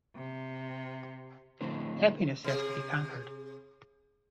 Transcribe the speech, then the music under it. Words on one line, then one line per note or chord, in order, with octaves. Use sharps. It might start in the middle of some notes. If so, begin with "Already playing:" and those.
Happiness has to be conquered.
C3
F2 A2 D3 C5
C3 G#4